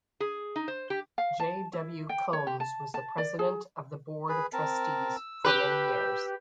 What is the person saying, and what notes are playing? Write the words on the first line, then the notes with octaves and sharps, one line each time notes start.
J. W. Combs was the president of the board of trustees for many years.
G#4
D#4
C5
G4
F5
A5
E4
G5
C#5
G4
A5
A5
D5
G#4
G#4 B4
C4 A#4 A5
E6
G4 B4